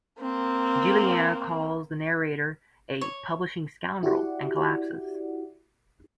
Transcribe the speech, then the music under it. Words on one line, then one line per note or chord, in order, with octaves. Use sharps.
Juliana calls the narrator a "publishing scoundrel" and collapses.
A#3 C4
C#5
E4 F#4 G4 D5 F#5